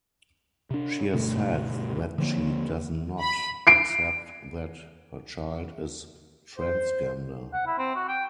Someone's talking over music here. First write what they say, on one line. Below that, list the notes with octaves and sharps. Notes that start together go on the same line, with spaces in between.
She has said that she does not accept that her child is transgender.
C3 D4
D2 G2 B2 A3
D3 F3 A#3
B5
C7 D7
C5
F#5
E4
C4
F#4
G5